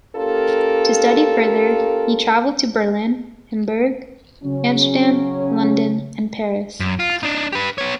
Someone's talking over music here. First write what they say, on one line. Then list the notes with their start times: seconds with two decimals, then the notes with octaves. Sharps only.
To study further he travelled to Berlin, Hamburg, Amsterdam, London and Paris.
0.15 A#3 C#4 F4 G4 A4 A#4
4.43 C#3 F#3 C#4
6.80 F#2
6.99 F4
7.23 D4 D#4
7.52 G4 B4
7.78 B3 C#5